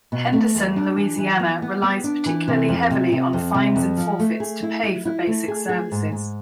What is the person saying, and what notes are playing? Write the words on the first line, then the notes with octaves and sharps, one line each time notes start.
Henderson, Louisiana relies particularly heavily on fines and forfeits to pay for basic services.
B2
A3
E2
D4
E3
E3
B3
B3
B3
D4
E3
C3
F2
C3
C3
F2
C3
F2
F3
A3
G#4
E4
E4
E4
A3
G#4
G#4
G#2
G#2